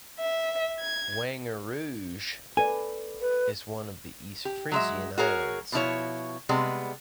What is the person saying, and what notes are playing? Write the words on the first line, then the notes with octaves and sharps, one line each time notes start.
Wangerooge is one of the East Frisian Islands.
E5
G#6
A4 B4 D5 G#5
B4
G4
F#3 G#3 E5
F#4 G#4 A#4 C#5
B2 F3 E4 C#5
C3 G3 G#3 B3